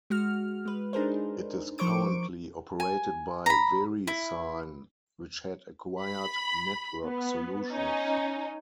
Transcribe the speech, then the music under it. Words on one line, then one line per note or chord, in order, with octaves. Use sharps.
It is currently operated by VeriSign, which had acquired Network Solutions.
G#3 F#4 F6
G#3 B4
D4 D#4 G#4 A#4 C5
F3 A#4 C5 C#6 D6 D7
G#5
A#5 B5
E4
B5
B3
C#4 D#4